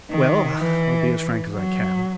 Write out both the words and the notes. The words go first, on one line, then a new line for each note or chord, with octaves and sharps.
Well, I'll be as frank as I can.
D#3
E3
F#3